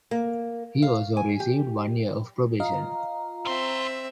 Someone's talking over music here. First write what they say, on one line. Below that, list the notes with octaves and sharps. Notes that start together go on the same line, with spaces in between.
He also received one year of probation.
A#3
F5
G#5
G4
F4 D#5 F5 A#5
C4 E4 E5 C6